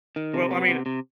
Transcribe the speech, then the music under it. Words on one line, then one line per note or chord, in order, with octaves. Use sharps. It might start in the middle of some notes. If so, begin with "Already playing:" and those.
Well, I mean, eh
D#3
C3
B3
C3
C3